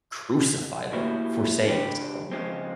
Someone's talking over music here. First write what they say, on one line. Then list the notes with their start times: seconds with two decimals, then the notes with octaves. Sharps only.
crucify them for saying so.
0.93 A2 A#3 E4 F#4 G4
1.68 C#2 D4 G4
2.31 C#3 F3 G#3 C4